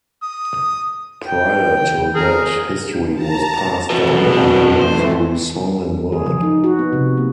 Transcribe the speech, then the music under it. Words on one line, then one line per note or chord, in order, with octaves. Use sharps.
Prior to that, history was passed down only through song and word.
D#6
G5
G#4 A#4
A5 A#5
E2 B2 F3 A3
C4 D4
G#2 E3 A3 C5
G#4
F3
D#4
F#4
B3
C3
A#3